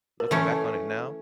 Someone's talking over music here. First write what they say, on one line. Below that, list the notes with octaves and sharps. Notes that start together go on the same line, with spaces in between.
looking back on it now
A#4
E3 A3 C#4 A4